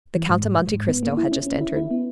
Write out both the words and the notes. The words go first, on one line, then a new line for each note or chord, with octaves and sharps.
The Count of Monte Cristo had just entered.
E3
G#2
G#2
G#2
G#2
B3
A#3
E4
C#4
C#4
E4
E4
B3